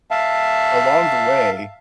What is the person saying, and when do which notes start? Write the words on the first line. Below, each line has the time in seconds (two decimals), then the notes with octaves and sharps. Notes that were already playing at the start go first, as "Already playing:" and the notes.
along the way,
0.11 E5 F5 A5